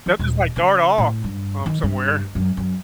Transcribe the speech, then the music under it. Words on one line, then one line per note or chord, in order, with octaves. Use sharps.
They'll just, like, dart off, um, somewhere,
E3
D#1
C#3
A2
G2
D#3
G2
F#2
F#2